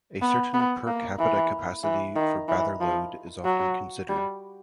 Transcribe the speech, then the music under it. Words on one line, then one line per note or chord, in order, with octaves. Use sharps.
A certain per capita capacity for bather load is often considered.
B3
B3
A#3
E3
E3
D#3
E3
F3
F#3
G3